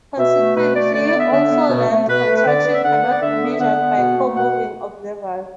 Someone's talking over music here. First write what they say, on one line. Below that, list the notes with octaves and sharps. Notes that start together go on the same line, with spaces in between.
Consequently, also length contraction cannot be measured by co-moving observers.
B2 E5
A3
B2 B4
A3 D5
D3 D5
D5
B3
E5
D3 E5
B3
B2
A3
B2 B4
A3
B4
D3 D5
B3
E5
D3 F#5
B3
D5
D3 E5
B3
D3 F#5
B3
B2
A3
B2 F#5